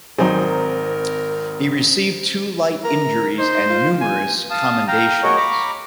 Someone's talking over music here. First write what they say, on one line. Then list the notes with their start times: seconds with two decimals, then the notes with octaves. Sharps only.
He received two light injuries and numerous commendations.
0.19 G#1 F#3 C4 D#4 G#4 A#4
2.84 A#4
3.39 D#4 C5
3.69 F4
4.01 G#5
4.50 F5 A5 D#6
4.87 F5 G5 A#5
5.23 F#4 G#4 A#4 C#5 D#5 C#6
5.37 A#5 B5 C#6 D6